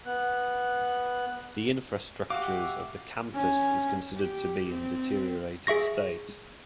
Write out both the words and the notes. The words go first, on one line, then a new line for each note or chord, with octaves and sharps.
The infrastructures of the campus is considered to be in deteriorated state.
B3 F#6
F#4 G4 E5 F5 D6
C#4
G4
C4
G#4 E5 C#6 A#6